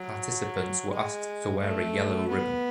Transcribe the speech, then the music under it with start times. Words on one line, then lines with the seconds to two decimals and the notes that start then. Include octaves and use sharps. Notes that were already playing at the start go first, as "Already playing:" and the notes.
Participants were asked to wear a yellow ribbon.
Already playing: F#3
0.92 G#3
1.60 A3
2.29 B3